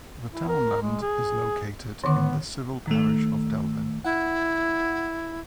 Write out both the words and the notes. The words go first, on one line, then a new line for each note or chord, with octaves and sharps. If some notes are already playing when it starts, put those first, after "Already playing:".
The townland is located in the civil parish of Delvin.
E4
A#4
G#3
G#4
D3 D#3 B3 D6
D#3 A3
E4 F#5